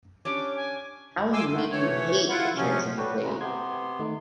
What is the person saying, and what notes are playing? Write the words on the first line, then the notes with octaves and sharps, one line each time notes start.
How he made you hate the character he played!
C#4 D4 G4 D6
G#5
G#5 C6 D6 E6
D3 D#3 A3
E3 A3 C#5
E4 F4 F#5
C3 F3 F#3 C#4
G3 F#4 A4 B4 C#5 G5
C#3 G#3 A#5 B5
C3 B3 G5 C6 G#6
D#3 A3 D#4